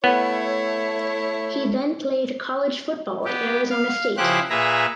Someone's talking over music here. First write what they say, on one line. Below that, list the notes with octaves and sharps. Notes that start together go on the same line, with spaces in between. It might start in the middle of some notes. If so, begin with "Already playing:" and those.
He then played college football at Arizona State.
A3 B3 E4 C#5
B3 G4
F5
C#3 F3 E4 G4 C5 F#6
A#2 G#4 B4 E5 A#5